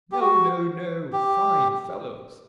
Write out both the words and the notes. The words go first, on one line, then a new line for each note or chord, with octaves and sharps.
No, no, no! Fine fellows!
G4
F#4
G4